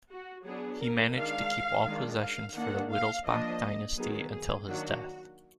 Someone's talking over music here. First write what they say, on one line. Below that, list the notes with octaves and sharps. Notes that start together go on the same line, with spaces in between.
He managed to keep all possessions for the Wittelsbach dynasty until his death.
F#4
F#3 B3 D4 G#4
A#4
D#3 G#3 D4 F5
D#3 G#3 D4
F5
D#3 A#3 D4 F#5
F5
F3 A#3 D4 D#5
D#3 F#3 B3 G#4
G#4
D#3 F#3 A#3 D4 F#4